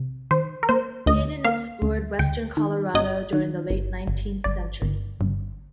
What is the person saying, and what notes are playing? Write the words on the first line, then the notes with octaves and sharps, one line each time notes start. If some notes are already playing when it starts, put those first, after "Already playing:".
Hayden explored western Colorado during the late nineteenth century.
Already playing: C3
D#3 C5
A#4
A#3 C5
D2 D#5
A#3 F5
D2
D2 G5
D#3
G1 D#5
D#3
G1
G1
G1 D5
G1
G1